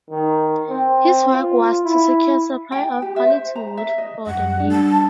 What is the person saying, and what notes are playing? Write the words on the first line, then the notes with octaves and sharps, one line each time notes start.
His work was to secure a supply of quality wood for the Navy.
D#3
C4
F4
E4
G5
G4
E5
C5
A#5
E5
D#5
F#2 F#5
G3 D4
A5